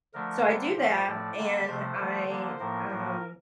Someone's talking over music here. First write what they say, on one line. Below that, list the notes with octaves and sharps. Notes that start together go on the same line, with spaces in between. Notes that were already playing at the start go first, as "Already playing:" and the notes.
So, I do that, and I, um,
D3 F3 A3 A#4
D3 G3 A#3 C5
A#2 F3 A3
A2 F3 A3 D5
D3 G3 A#3
C3 F3 A3 C5
D3 F3 A3
D3 F3 A#3
A2 F3 A#3 A#4
A2 F3 A#3